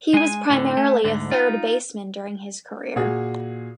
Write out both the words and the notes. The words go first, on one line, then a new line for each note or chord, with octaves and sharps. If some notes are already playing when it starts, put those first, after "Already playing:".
He was primarily a third baseman during his career.
G#3 G#5
A2 D3
A3
D2 G#2 D3
D#4 F4
A#2 F#4 G#4